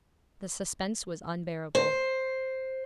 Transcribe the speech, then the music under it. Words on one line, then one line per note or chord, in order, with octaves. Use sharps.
The suspense was unbearable.
C5